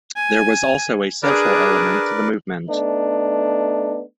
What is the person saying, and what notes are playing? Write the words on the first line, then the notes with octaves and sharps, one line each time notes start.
There was also a social element to the movement.
G#5
D4 G#4 A#4 B4 D5
A3 B3 D4 D#4